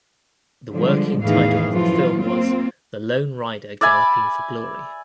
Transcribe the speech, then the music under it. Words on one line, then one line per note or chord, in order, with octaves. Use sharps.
The working title of the film was "The Lone Rider Galloping for Glory".
D3 F3 G3 G#3
E2 A2 D#3 E3 G#4 F5
F#2 E3 F3 F4
A#3 C4 F4
D5 E5 G#5 B5